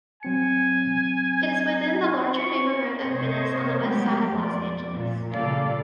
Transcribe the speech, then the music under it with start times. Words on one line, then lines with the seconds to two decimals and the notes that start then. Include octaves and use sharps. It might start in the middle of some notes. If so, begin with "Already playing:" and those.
It is within the larger neighborhood of Venice on the westside of Los Angeles.
0.23 F#3 C4 G#5 C#7
2.36 C#6
3.07 C3 C5 C#5 D#5
3.82 F#3 G#3 A3 B3 G4
4.35 F2 D5
4.94 A#2
5.33 A#2 C#3 G3 A4 D5 F5